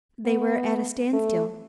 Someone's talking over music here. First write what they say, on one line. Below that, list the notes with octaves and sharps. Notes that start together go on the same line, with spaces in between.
They were at a standstill.
B3
A3